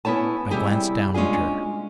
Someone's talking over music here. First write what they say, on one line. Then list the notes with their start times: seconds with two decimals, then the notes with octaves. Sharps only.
I glanced down at her.
0.05 B3 C#4 E4 C#5 A5
0.51 C3 F#3 G3 E4 G4 G#4
1.14 G#3 C#4 D4 F4 G#4